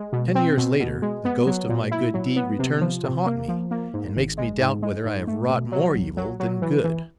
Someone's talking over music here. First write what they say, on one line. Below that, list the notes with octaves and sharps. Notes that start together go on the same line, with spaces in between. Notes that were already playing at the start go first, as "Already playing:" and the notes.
Ten years later, the ghost of my good deed returns to haunt me, and makes me doubt whether I have wrought more evil than good.
Already playing: G#3
B2
C4
B2
B2
G#3
B3
F#3
A#2
E4
F#3
B3
C3
F3
C3
A#3
F3
A#3
G#2
G#1
G#3
G#2
G#3
G#2
A3
B2
F#3
B1
F#3
F#3
E3
E3